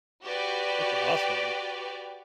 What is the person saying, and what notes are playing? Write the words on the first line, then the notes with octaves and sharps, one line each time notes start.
That's awesome.
F#4 G4 B4 D5